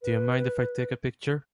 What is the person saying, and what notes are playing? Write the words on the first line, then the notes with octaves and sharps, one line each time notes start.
Do you mind if I take a picture?
B4